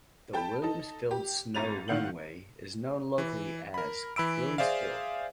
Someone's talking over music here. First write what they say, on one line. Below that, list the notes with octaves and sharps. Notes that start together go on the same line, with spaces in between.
The Williams Field snow runway is known locally as Willy's Field.
A4 G5 A5 B5
D#4 A4
G4
G#1 A#5 A6 D#7 F7
A2 D#3 F5 F#5 G6 F#7
E3
A#4 B5
E3 B5 E6 D7
G#4 C5 D5 E5 F5